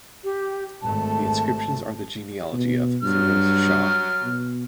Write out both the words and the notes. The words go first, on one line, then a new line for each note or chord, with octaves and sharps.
The inscriptions are the genealogy of Firoz Shah.
G4
G#1 A3 A5
B2
G2 F#3 F6
B2